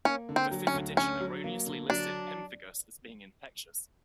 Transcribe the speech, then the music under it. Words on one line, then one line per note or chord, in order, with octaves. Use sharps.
The fifth edition erroneously listed pemphigus as being infectious.
A#3 C#4
D3
C4
F#3
C#4
D2
D3 C#4
F#3
A#3
D3
F#3 D4